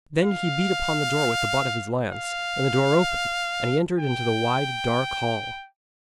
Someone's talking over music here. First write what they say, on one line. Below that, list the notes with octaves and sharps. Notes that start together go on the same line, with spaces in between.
Then he beat upon the door with the butt of his lance, and the door opened, and he entered into the wide dark hall.
F5
F5
G5